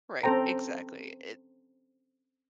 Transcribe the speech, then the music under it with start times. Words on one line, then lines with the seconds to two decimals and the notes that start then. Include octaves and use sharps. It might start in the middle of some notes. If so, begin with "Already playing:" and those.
Right. Exactly. It,
0.23 C4 C#4 A4 C5 G5 A#5